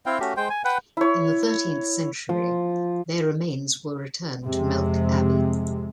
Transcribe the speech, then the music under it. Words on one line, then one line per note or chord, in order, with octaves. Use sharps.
In the thirteenth century, their remains were returned to Melk Abbey.
C4 E4 F5 G5
A3 C#4 F#4 G4
G#3 C5 G5
G#5
B4 F#5 G5
E4 C#5
F3
F2 C3 G#3